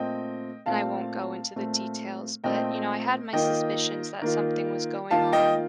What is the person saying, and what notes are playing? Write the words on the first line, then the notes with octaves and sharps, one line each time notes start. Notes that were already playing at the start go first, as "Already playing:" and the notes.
and I won't go into the details, but, you know, I had my suspicions that something was going on,
Already playing: A#2 A3 C4 D#5 G5
A#2 A3 C4 F5 A5
A#2 A3 C4
A#2 A3 C4 D#5 G5
D#3 A#3 F4 D#5 G5
D#3 A#3 F4
D#3 A#3 F4 F5 A5
D#5 G5